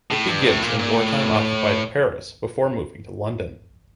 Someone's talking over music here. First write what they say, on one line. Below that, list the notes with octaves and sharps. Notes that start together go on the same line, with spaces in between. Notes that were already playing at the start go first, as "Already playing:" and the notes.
It begins in wartime occupied Paris before moving to London.
A2
G2
A2
A#2
A#2
A2